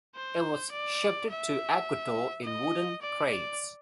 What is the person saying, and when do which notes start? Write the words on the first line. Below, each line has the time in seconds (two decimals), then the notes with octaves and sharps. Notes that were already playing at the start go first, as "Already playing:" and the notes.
It was shipped to Ecuador in wooden crates.
0.16 C5
0.72 D5
1.30 E5
2.44 D#5
3.02 D5
3.29 D5